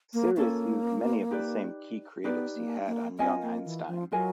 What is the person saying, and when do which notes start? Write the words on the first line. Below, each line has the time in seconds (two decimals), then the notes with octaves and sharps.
Serious used many of the same key creatives he had on "Young Einstein".
0.14 A#3
0.37 A#3 C#4 F4 A4 C#5
1.31 D#4 G4 B4 D5
2.24 B3 D#4 G4 B4 D5
2.55 A#3
2.87 A#3
3.18 C4 F4 A#4 D#5 G#5
3.42 A#3
3.65 E3
3.88 F3
4.12 F#3 F4 A#4 D#5 G#5